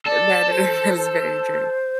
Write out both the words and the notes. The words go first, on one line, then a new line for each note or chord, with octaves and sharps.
that is that is very true.
A4 D5
C5
C5